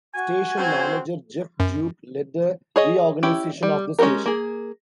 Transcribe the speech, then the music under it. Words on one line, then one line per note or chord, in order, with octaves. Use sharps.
Station Manager Jeff Duke led a reorganization of the station.
F#4 G#5
F3 F#3 C4 C5
F#2
G#4 C#5 D#5
C#4 E4 G4
G3
G#3 C#4 D#4 G4 A#4
A#3 G#4